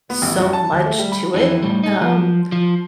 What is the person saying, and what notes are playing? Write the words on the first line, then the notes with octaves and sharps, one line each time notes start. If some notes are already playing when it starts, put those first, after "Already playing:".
so much to it, um
B3
A1
F#2
A5
D#2
A3
G3
B5
F2 E3
A2 G3
D#4
F3
F3